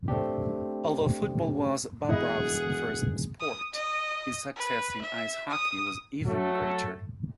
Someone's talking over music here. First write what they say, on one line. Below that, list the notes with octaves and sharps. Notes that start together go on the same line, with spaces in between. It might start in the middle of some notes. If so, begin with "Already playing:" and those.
Although football was Bobrov's first sport, his success in ice hockey was even greater.
A3 C4 D4 G4
E1 E4 G#4 D#5 F#5
D#6
D#5
B4
E5
D#6
F#3 A3 F#4 A4